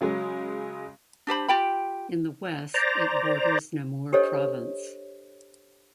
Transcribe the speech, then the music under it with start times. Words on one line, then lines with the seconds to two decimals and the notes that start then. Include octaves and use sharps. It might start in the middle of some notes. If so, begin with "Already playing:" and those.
In the west it borders Namur Province.
0.01 C#3 F#3 G#3
1.27 D4 G4 C5 B5
1.48 F4 G4 G5 B5
2.74 C5 D5 A#5
4.12 D4 G4 A4 C5 C#5 D#5